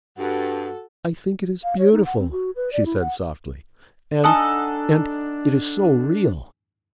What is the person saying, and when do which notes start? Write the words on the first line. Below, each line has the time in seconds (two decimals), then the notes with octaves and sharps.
"I think it is beautiful," she said softly, "and--and it is so real."
0.18 G2 F#4 A4
1.64 F5
1.79 C#5
1.92 D#4
2.06 F#5
2.19 C4
2.31 F#4
2.56 B4
2.73 D5
2.86 E4
3.01 F#5
4.24 D4 D#4 A4 F#5 G#5 A5 D#6